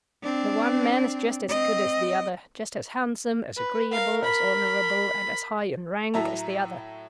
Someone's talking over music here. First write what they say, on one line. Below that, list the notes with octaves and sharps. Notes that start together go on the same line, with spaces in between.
The one man is just as good as the other; just as handsome, as agreeable, as honorable, and as high in rank as the other.
C4 D4
C4 D#5
B4
A#4 F5
B5
A2 F#3 E4 E5 A5 A#5